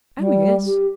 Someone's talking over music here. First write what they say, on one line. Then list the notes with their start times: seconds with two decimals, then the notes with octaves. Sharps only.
"Oh, yes."
0.19 G3
0.66 G4